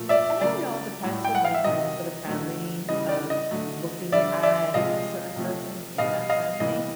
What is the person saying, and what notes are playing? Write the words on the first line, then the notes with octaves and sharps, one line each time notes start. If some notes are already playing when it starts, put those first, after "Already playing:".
I know it all depends on, like, you know, for the family of looking at a certain person in that family,
Already playing: A#2 F3 A3
D5 E5
C#3 F#3 A3 D5
A2 F#3 A3
G5
F#5
F5
E5
C3 D#3 F#3 D#5
D3 F#3 A3
C#3 E3 G3 D#5
D5
D#5
D3 F#3 A3
D3 G3 D5 E5
D5 E5
C3 F3 G#3 D#5 F5
C3 F3 A3
B2 G3 D#5 F5
D#5 F5
C3 E3 G3 D#5